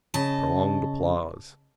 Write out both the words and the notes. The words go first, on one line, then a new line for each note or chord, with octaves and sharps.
Prolonged applause.
C#3 D#5 A5